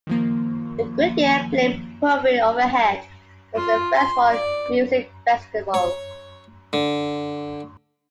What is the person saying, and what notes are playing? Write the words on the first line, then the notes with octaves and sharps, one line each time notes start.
The Goodyear blimp hovering overhead was a first for a music festival.
D#3 F3 A#3
F4
C6
D5
C#5
D3